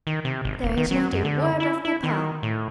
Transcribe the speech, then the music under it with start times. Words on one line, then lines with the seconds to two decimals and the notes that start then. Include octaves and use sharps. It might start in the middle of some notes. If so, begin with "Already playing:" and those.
"There is not a word of papa!"
0.07 D#3
0.25 C3
0.45 G#1
0.62 D#1
0.77 D#3
0.91 F#3
1.13 F#2
1.25 D3
1.60 E4
1.85 E4
2.03 D#3
2.43 A2